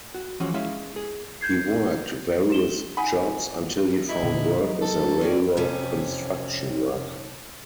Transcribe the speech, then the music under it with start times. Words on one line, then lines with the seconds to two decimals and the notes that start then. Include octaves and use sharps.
He worked various jobs until he found work as a railroad construction worker.
0.14 F#4
0.40 E3 F3 G#3 C#4 F#4
0.54 G#3 C#4 E4 E5 F5
0.96 G#4
1.41 G6 G#6 C7
2.50 G4 E7 G7
2.97 D#4 F#5 G#5 B5
4.09 D#4 E4
4.23 A#2 D3
4.60 F#3 G#3
4.82 A4
5.21 C#4 G4 D5
5.57 F2 C3 C#4